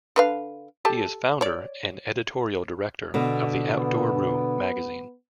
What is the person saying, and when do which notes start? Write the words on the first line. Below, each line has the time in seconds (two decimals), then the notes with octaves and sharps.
He is founder and Editorial Director of "The Outdoor Room" magazine.
0.16 D3 B4 F5
0.85 G4 A4 A5
1.41 C#5 D5
3.14 B2 D3
3.78 B3